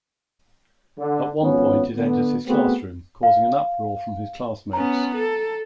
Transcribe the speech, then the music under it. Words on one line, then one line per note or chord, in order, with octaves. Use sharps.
At one point it enters his classroom, causing an uproar from his classmates.
D3
G#1 F3 B3 C#4
D3 B3
A3 B3 C4 F#4 G#4
F5
B3 C#4 A#5
A4